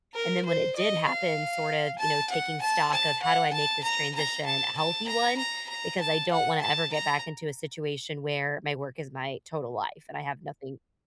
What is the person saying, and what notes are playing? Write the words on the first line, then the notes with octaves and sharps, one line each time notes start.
And then when it did happen, sort of, you know, taking stock of how do I make this transition a healthy one? Because I don't wanna ever get back into a situation where my work is my total life and I have nothing
A#4
C5
D#5
F5
A5
F#5
A5
A5
F#5
A5
A#5
A#5
A5
A5
A#5
A#5
A#5
A5
F#5
A5
A#5